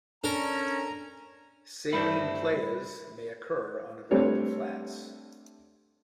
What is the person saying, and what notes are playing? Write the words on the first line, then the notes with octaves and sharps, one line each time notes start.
Saline playas may occur on available flats.
C#4 D4 A4 A#4 A#5
G2 G3 A3 C4 D4 E4
G3 A3 C4 D4 C#5